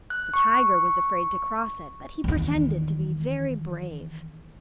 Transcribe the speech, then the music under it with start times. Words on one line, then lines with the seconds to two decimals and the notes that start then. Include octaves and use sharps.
The tiger was afraid to cross it, but he pretended to be very brave.
0.10 F#6
0.34 C#6
2.24 E2 D#3